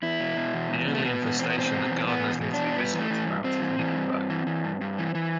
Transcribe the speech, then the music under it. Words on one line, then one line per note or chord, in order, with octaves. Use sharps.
The only infestation that gardeners need to be vigilant about is mealybug.
E2 E4
B2
B2
E2
E2
B2
A3
B2 B3
E2
E2 C4
B3
B2 C4
B2
E2
E2 B3
B2
B2
E2 D4
G2 B3
E3
A3
E3
G2
G2 C4
E3
E3
G2
G2
E3
E3
G2
G2
E3
E3